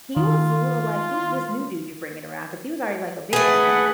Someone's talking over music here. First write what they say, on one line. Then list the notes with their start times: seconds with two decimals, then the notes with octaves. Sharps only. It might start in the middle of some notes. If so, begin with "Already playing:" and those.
he was a little, like, "Who's this new dude you're bringing around?" 'Cause he was already, like, a big guy.
0.17 D#3 F4
3.33 A3 G#4 B4 F#5